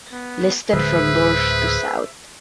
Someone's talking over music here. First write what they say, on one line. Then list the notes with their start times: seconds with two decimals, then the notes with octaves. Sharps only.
Listed from north to south.
0.12 B3
0.73 D1 D3 G#3 G#4 B4 C5 E5